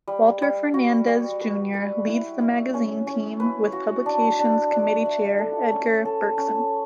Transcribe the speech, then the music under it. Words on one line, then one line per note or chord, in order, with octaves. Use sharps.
Walter Fernandez, Junior leads the magazine's team, with publications committee chair Edgar Burcksen.
G3
G3
F#4
G3
B4
B4
E4
E4
C#4
C#4
B4
F#4
D4
D4
D4
E5
A4
C#4
A4
C#4